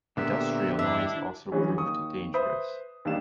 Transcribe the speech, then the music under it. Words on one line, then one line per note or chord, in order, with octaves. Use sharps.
Industrial noise also proved dangerous.
A#2 D3 B3 G4 E5
G2 D4 E4 E5
D3 E3 F#3 G3 C#4 G#4
D#2 C#6 D#6
B4 C5 E5 B5 D#6
D#2 G3 D4 F5 E7